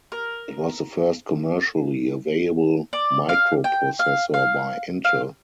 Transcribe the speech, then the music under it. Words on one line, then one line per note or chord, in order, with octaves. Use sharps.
It was the first commercially available microprocessor by Intel.
A#4
D5
F5
G5
F5
F5
F5